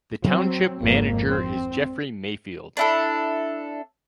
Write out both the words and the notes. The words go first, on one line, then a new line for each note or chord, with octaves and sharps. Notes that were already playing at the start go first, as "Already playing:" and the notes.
The Township Manager is Jeffrey Mayfield.
F#3 C4
G#1 F2 A#3
C4
D4 E4 A4